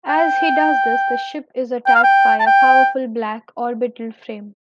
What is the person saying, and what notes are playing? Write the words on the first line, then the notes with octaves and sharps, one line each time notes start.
As he does this, the ship is attacked by a powerful black Orbital Frame.
G5
G5
F5
G5
A5
G5